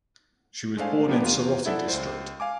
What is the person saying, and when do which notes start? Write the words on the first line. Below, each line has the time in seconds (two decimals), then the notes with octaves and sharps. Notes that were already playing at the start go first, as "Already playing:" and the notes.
She was born in Soroti District.
0.77 G#3 A3 D4 C5 F5 G#5
1.08 F3 A#3 B3 D4 G4 D5
1.23 E2 F4 F5 D#7
1.66 E4 G#4 A4 D5 E5 F#5
1.89 C#2 C5
2.40 F5 G#5 D6